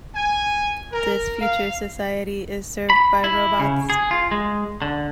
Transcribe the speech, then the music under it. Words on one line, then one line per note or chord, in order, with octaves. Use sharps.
This future society is served by robots.
G#5
A#4
F5
B5
E4
C#3
G#4
F4
G#3
D3